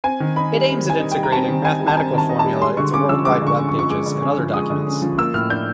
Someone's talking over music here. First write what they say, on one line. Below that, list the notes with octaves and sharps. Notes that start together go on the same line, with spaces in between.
It aims at integrating mathematical formulae into World Wide Web pages and other documents.
C4 G#5
D#3
D#4 B5
G3
C4
D#3 G#5
D#4
G5
G3
A#5
C4 A5
D#3
D#4 G#5
G3
A5
C4 G#5
D#3 A5
D#4
A5
G3
G#3 C6
D3 C#6
C#4 D6
F3 E6
G#3 D6
D3 C#6
C#4
C#6
F3
C#6
G#3 D6
D3
C#4
F3
G#3 D#6
D3
C#4
F3
A#3 E6
A2 F6
D4 G6